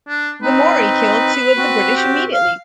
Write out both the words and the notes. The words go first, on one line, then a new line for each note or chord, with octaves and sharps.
The Maori killed two of the British immediately.
D4
C4 D#4 B4
C4 F#4
G4
F5